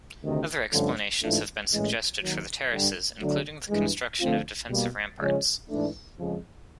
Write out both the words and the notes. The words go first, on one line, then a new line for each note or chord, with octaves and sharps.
Other explanations have been suggested for the terraces, including the construction of defensive ramparts.
D2 C3 D#3
G2 D3 F3 A3 C#4
G#2 E3 A3 D4 F4
A2 E3 G#3 C#4
D#2 D#3 F#3
G2 D3 G3
D3 F#3 A3 D4
G2 E3 G#3
D3 F3 A3 C4 F4
B2 G3 A#3
C#3 F3 G#3 C#4
G#2 E3 A3 D4
F2 C#3 F3 G#3